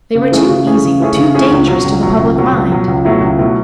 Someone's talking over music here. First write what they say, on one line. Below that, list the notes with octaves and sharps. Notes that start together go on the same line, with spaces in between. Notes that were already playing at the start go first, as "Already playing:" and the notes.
They were too easy, too dangerous to the public mind.
C#3
E3 A3 C#4 G#4
C#3
E3 A3 C#4 G#4
C#3
E3 A3 C#4 G#4
C#3
E3 A3 C#4 G#4
C#2
B2 F#3
C#2
B2 F#3
C#2
B2 F#3
C#2
B2 F#3
C#2
B2 F#3 A3 E4
C#2
B2 F#3 A3 E4